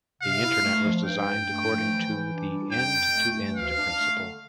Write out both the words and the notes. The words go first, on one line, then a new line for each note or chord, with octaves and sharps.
The Internet was designed according to the end-to-end principle.
C3 F5
E4
A3
F3
G2 G5
G2
A3
F3
E3
E3
D4
G3
F2 G5
F2
A3
E3
D2 F5
D4
A3
D3